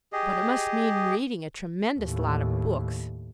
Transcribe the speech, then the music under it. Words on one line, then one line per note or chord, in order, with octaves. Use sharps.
"But it must mean reading a tremendous lot of books."
G4 G#4 D#5
D#2 A2